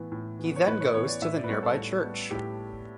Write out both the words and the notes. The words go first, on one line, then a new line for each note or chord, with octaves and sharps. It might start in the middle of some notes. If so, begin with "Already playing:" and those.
He then goes to the nearby church.
Already playing: A2 E3 B3
A2
E3 B3
C#5
A2 B4
C#5
E3 B3 C#5
D5
A2 E5
D5
B4
G3 B3 C#5
A4
A2
G3 B3
A2 G4